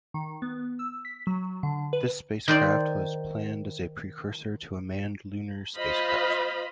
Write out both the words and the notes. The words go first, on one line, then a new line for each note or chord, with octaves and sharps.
This spacecraft was planned as a precursor to a manned lunar spacecraft.
D#3
B3
E6
B6
F#3
D3
B4
D#3 C5 D5
F4 C5 D#5 F5 B5